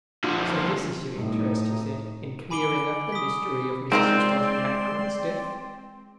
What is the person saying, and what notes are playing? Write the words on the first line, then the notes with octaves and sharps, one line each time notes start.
"So this is your interest," he said, "in clearing up the mystery of Mrs. Eustace Macallan's death?"
D3 F3
A2 D#4
G#5 B5 D6 D7 G7
D#6 B6
G#3 C4 D#4 F4 A#4 D5 C6